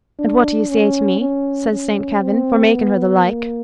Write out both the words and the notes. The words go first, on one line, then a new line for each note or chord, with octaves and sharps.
"And what do you say to me," says Saint Kavin, "for making her the like?"
D4
C#4
C#4
C#4
C4
B3
A#3